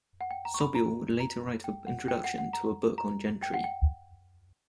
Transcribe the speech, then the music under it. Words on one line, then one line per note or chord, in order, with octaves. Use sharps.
Sobule would later write the introduction to a book on Gentry.
F#5
G5
A#5
C#6
B5
A#5
A#5
G5
F#5
G5
F#5
F#5
A#5
A#5
G5
F#5
G5